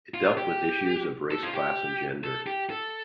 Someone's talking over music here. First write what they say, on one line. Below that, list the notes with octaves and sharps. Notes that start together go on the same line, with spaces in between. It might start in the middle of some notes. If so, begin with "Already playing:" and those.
It dealt with issues of race, class, and gender.
F4
G4
A4
F4
G4
A4
G4
A4